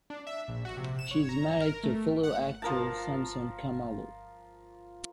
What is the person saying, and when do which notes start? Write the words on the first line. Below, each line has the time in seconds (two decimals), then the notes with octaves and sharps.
She is married to fellow actor Samson Khumalo.
0.10 D4
0.27 E5
0.48 A#1
0.65 F#4
0.77 C3
0.99 E7
1.11 C#5
1.29 A#5
1.61 A#4
1.83 A3
2.23 F#5
2.62 F3 A#4 A5